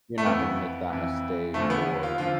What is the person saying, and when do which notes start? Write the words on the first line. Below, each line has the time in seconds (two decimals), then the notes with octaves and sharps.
you're not gonna make that mistake or
0.18 A3
0.26 F2 E3 B3
0.90 F2 E3
1.54 E2 D3 F3 A3
1.70 B3
2.03 F4
2.18 D3 F3 F4